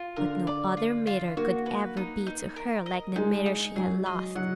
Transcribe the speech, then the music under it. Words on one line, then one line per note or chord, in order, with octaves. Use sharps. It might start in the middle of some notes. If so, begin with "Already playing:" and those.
But no other mirror could ever be to her like the mirror she had lost.
Already playing: F4
D3 A#4
D5
F4
F4
A#3 F#4
B4
D#4
D#4
A#4
D#5
G#3 D#4
D#4
F#3 G#4
D#5
F#3 F#5